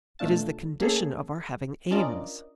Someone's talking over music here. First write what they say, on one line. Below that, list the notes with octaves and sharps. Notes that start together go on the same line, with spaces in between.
It is the condition of our having aims.
B2 A3 D4 F4 A5
A#3 C#4 G#4 A4
C#4 D4 F4 A#4 D5 D#5